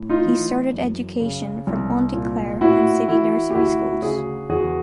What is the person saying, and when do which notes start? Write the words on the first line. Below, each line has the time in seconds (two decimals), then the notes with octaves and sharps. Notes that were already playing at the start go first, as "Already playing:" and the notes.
He started education from Auntie Clare and City Nursery schools.
Already playing: A2
0.09 D#4 F4
0.25 E3
0.72 F#2
1.20 C#3
1.67 C2
2.14 A#2
2.61 A2 E4 F#4
3.08 E3 E4 F#4
3.51 G4
3.55 D2 E4 F#4
4.02 C#3 F#4 G#4
4.49 E2 F#4 G#4